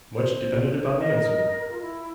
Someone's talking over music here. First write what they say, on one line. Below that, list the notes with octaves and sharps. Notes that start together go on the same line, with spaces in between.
Much depended upon the answer.
C5
A#4 D#5
F4
E4